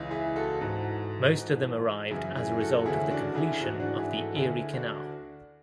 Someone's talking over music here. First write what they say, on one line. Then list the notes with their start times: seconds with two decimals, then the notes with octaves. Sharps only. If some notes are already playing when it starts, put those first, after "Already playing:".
Most of them arrived as a result of the completion of the Erie Canal.
Already playing: C#2 C#3 E3
0.10 E4 G#4
0.36 F#4 A4
0.60 G#2 E3 F#4 A4
1.35 G#2 E3
2.11 F#2 C#3 E3 E4 G#4
2.36 E4 G#4
2.60 F#4 A4
2.86 D2 C#3 E3 E4 G#4
3.11 D4 F#4
3.35 E4 G#4
3.61 G#2 E3 D4 F#4
3.79 D4 F#4
3.98 E4 G#4
4.17 F#4 A4
4.35 D2 D3 E4 G#4
4.73 D4 F#4